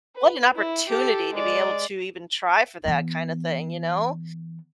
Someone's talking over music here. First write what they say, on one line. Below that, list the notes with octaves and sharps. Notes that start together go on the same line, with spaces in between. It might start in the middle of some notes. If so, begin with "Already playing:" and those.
what an opportunity to be able to even try for that kinda thing, you know.
B4
E4
G4 A4
G#3 D5
E3 B3